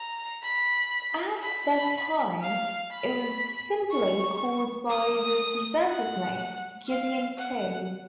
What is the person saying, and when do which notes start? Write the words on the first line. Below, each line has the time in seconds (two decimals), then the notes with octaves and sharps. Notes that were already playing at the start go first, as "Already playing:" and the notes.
At that time, it was simply called by the presenter's name, "Gideon Coe".
Already playing: A#5
0.43 B5
1.43 B5
2.42 F5
2.91 B5
3.91 C#6
4.90 D#6
5.89 F#5
6.88 F5
7.38 F#5